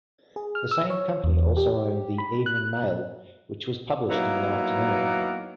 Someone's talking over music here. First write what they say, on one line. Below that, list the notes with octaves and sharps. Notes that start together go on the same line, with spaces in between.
The same company also owned the "Evening Mail", which was published in the afternoon.
G#4
F6
E6
C#5
E2
G4
B5
F#6
F#3 A#3 B3 D#4 E4